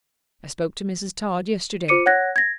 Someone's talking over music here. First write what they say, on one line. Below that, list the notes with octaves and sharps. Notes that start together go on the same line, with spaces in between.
I spoke to Mrs. Tod yesterday.
F4 C5 D6 C#7 D#7
C#5 F#5 F#6 G#6 A#6
G#6 A#6